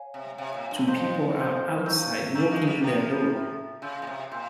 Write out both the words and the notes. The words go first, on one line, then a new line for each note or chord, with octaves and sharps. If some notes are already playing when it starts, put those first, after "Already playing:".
Two people are outside walking their dog.
Already playing: C#5 F5 G#5
C3
C3 C#5 F5 G#5
A#2
G2
F2 C5 F5 C6 G6
C5 F5 C6 G6
G2 F5 A#5 C#6 E6 G6
G3 F5 A#5 C#6 E6 G6
G#3
G3
F3 E5 G5 A#5
E5 G5 A#5
C#3 F5 C6 E6 G6
A#2
C3
A#2 F5 C6 E6 G6